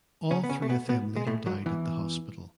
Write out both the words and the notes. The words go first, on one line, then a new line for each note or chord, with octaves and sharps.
All three of them later died at the hospital.
C#3 C#4
B3
C#3 C#4
A3
B2 B3
B2 B3
G#3
A2 A3
F#2 F#3
E2 E3